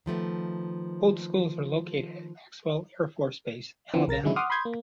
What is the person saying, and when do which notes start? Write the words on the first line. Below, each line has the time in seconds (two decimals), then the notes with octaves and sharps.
Both schools are located at Maxwell Air Force Base, Alabama.
0.06 D#3 F3 A3 B3
3.94 E3 F3 C4
4.07 B1 A#4 A6 A#6
4.23 D3 D#3 F#3 G#3 C#4 E4
4.36 F#5 C6 D6 D#6 F6
4.50 B5 C6 D#6 G6 G#6
4.65 A#3